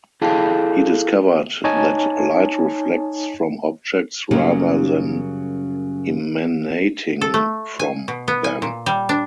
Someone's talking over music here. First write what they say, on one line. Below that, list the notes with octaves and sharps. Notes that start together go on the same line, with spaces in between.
He discovered that light reflects from objects rather than emanating from them.
E4 G#4 A4 F5 G5 A5
D#4 C#5 D#5 G#5 A5
F#2 C#3 F#3 G3 A#3 C#4
A4
A3
G#5
B2
B3
G#5
A#2
G3
D4